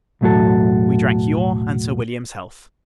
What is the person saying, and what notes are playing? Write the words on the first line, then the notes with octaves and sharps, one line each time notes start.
We drank your and Sir William's health.
B1 E2 A2 F#3 F#4 A4